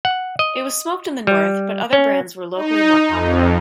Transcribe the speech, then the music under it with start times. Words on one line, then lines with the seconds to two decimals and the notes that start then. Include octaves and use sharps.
It was smoked in the north but other brands were locally more popular.
0.05 F#5
0.39 D#5
1.27 G3
1.93 C#4
2.55 D#4
3.08 F2